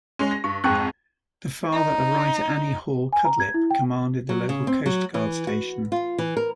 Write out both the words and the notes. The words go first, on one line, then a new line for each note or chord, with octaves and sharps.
The father of writer Annie Hall Cudlip commanded the local Coastguard station.
G#3 C#4
A#6
G2 C#6
F2 G#2 G5 C#6 F#6
D#4
G#5
A#5
G#6
E4
G5
F#3
C#3
C4
F#3
E3
F#4
F4
E3
A#4